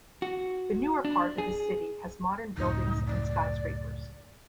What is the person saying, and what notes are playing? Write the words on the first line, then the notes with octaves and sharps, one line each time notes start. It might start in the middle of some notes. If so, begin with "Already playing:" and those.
The newer part of the city has modern buildings and skyscrapers.
F#4
D4
G#4
C#2 F#2 A2 D#4
D5